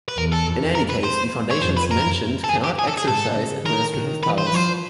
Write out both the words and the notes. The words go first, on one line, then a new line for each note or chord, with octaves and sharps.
In any case, the foundations mentioned cannot exercise administrative powers.
B4
E2 A#4
A4
F2
A#4
B4
C5
C#5
F2 C5
B4
F#2 A#4
A4
G#4
G4
G#4
A4
G#4
G#2 A4
C#3
D#3 A#4
D#3
E3 B4
C5
B4
F3 C5